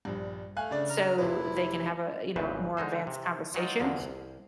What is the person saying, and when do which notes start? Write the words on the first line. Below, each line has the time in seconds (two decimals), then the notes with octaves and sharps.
so they can have a, you know, a more advanced conversation,
0.05 A#1 G2
0.57 A3 F5 G#5 F#6
0.71 C#3 D4 D5
0.90 A#5 F6
1.18 F1 C3 E4 B4
2.36 G#1 E2 C#3 B4 C5
2.77 D3 G#3 D#4 C5
3.07 C3
3.54 F#3 G#3 D#4 F4
3.80 E2 D3 F3 F#3
4.00 C2